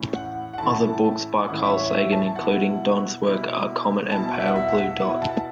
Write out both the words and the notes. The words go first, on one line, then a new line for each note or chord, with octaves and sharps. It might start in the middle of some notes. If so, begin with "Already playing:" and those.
Other books by Carl Sagan including Don's work are "Comet" and "Pale Blue Dot".
Already playing: A2 E3 A3 C#4 E4
F#5
F#5
A2 E3 A3 C#4 E4 A5
A2 E3 A3 C#4 E4 F#5
E5
C#5
E5
A5
B2 B3 E4 F#5
B2 B3 E4
B2 B3 E4 A5
F#5
E5
F#5
E5
F#5
E5
B2 B3 E4 F#5
A5